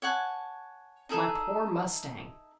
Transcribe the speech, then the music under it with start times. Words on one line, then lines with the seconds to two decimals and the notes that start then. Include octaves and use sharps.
"My poor mustang!"
0.02 C#5 F#5 G#5 A5
1.09 D#4 G#4 A4 E5